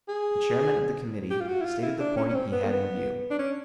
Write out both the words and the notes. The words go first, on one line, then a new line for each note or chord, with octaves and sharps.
The chairman of the committee stated the point he had in view.
G#4
G4
F4
F#4
E4
F4
E4
D4
C#4
C#4
C4
B3
A#3
B3
D4
C#4